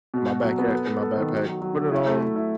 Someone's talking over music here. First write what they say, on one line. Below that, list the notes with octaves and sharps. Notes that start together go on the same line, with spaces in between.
in my back a in my backpack, put it on,
B2
F#4
F#3
B3
A4
A4
A4
D#3
F#3
F#3
F#3
F#3
E4
A3
A3
E4